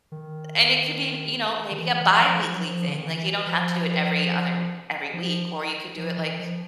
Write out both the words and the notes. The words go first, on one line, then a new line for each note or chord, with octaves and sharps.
and it could be, you know, maybe a biweekly thing, like, you don't have to do it every other every week, or you could do it, like
D#3
D#3
E3
E3
F3
F3
F#3
F3
D3
D#3
E3
F3
F3
F3
E3
F3